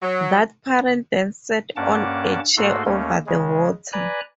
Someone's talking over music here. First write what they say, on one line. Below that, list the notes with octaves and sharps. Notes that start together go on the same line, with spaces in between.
That parent then sat on a chair over the water.
F#3
G2 A#3 C#4 F#5 A5 D6
G#2 A3 A#3 F#4 A4 C6
D#2 A3 A#3 C#4
C#3 G#3
B4 D5 G#5 A#5 B5 F#6